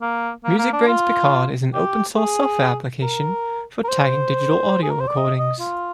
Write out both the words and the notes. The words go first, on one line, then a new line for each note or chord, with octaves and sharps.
MusicBrainz Picard is an open-source software application for tagging digital audio recordings.
A#3
A#3
A#3
D4
F4
G4
G#4
A#4
A#4
C5
G#4
A#4
C5
D5
D#5
D#5
F4